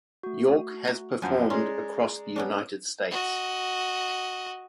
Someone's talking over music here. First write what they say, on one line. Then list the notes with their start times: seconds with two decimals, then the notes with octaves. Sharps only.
York has performed across the United States.
0.23 A3 F#4
0.85 F#5 A#5
1.22 F#2 F3 G#5
1.50 G#3 C#4 D5 A#5 C6
2.36 B3 C#4 D4
3.11 F#4 D#5